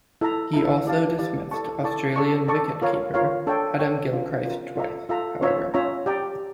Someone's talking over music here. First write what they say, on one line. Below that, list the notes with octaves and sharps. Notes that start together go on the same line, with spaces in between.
He also dismissed Australian wicket-keeper Adam Gilchrist twice, however.
E4 A4 E5 A#5
E4 A4 E5 A#5
E4 G4 D5 F5 A5
E4 G4 D5 F5 A5
E4 A4 D5 A5 C#6
E4 A4 D5 A5 C#6
A4 D5 A5 C#6
A4 D5 A5 C#6
F4 A#4 C#5 F5
F4 A#4 C#5 F5
D4 A4 C#5 G5 C#6
D4 A4 C#5 G5 C#6
C#4 F4 A#4
C#4 F4 A#4
F4 A4 E5 A#5
F4 A4 E5 A#5
C#4 F4 C#5 E5 A#5
C#4 F4 C#5 E5 A#5
G4 D5 G5 A#5